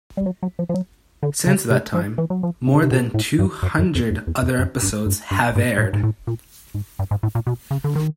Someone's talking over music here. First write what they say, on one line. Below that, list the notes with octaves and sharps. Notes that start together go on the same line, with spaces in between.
Since that time more than two hundred other episodes have aired.
G3
F#3
F#3
F3
F3
F#3
D3
C#3
C3
F3
E3
F#3
F3
C3
C#3
C3
B2
A2
G2
F#2
F#2
F2
F2
E2
F2
F#2
G2
G2
G2
G#2
A2
G#2
A2
A#2
G#2
G2
G#2
A2
A#2
B2
C#3
D3
D#3